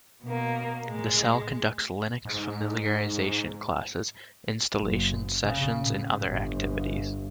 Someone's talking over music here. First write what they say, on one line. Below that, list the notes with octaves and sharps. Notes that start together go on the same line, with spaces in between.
The cell conducts Linux familiarisation classes, installation sessions and other activities.
B2 A#3
A2 G#3
G#2
F#1
C#3
A2
G1